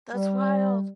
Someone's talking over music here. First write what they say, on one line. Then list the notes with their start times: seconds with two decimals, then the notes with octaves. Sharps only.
That's wild.
0.14 G3